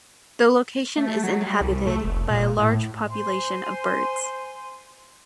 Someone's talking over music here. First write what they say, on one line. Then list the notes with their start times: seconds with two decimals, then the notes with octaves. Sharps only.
The location is inhabited by a large population of birds.
0.97 A3
1.23 F#3
1.47 G3
1.61 C2
1.87 A3
2.04 F1
2.30 A#2
2.58 A2
3.10 C5 G#5 C6